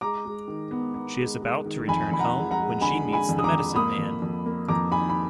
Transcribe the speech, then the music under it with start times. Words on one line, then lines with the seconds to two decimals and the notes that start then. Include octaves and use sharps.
She is about to return home when she meets the medicine man.
0.01 G#3 A#5 D6
0.25 G#3
0.48 D#3
0.71 B3
0.94 B3
1.18 G#3
1.42 G#3
1.65 D#3
1.88 F2 G#5 B5
2.12 F2 B5
2.19 F#5 A#5
2.36 G#3
2.51 F#5 A#5
2.59 G#3
2.81 D3 G#5 B5
3.06 G#3
3.13 G#5 B5
3.29 F2
3.39 D#6
3.44 A#5 D6
3.52 F2
3.75 A#3 B5 D#6
3.99 F2
4.22 F2
4.46 A#3
4.68 F2 A#5 D6
4.92 D#3 G#5 B5
5.09 B5